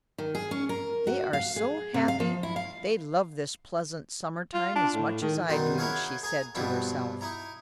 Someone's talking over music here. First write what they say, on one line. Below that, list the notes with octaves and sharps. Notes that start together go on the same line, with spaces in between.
"They are so happy; they love this pleasant summer-time as much as I do," she said to herself.
D#3
G#4
C#4
A#4
F#4
F5
G#4
C3
F5
F3
E4
F5
F4
D4
A2
D#3
B1 F#2 D#3 G3 D#4 C5
D#4 E4 F#4 G#4 C#5 F5
G#4 G#5 A#5
G2 B2 F3 G3 C4 E4
D#4 E4 A#5